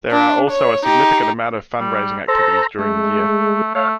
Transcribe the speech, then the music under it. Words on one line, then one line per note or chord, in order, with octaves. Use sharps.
There are also a significant amount of fund-raising activities during the year.
D4
C#5
D#4 G4
G3
A4 C5 A#5
G#3 A3
A3 C#5 F5